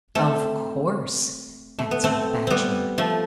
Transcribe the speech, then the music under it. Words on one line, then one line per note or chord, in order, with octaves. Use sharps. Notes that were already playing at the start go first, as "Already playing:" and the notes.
"Of course," answered the Bachelor.
A3 C4
A3
B3
A3 C4
G3 B3 C4
F3 A3